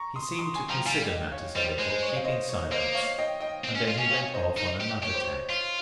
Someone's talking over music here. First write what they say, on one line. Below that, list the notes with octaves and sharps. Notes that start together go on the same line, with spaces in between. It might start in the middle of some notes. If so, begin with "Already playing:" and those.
He seemed to consider matters a little, keeping silence, and then he went off on another tack.
Already playing: A#5 C#6
C6 D#6
C6 D#6
G#5 C6
F3 G5 A#5
G3 F5 G#5
D#5 G5
C#5 F5
G3 C5 D#5
G#3 C5
C5
C#5
F5
C5 D#5
C#5
A#3 C5 D#5
C#5 F5
D#5 G5
D#5 G5
C4
C#4
F4
C#4
C#5 F5
C5 D#5
D#4
G4
G4 C#5
C5
C#5
F4